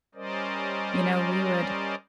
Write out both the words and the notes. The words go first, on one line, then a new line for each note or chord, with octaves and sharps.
You know, we would
G3 C#4 A#4 C5 D5 D#5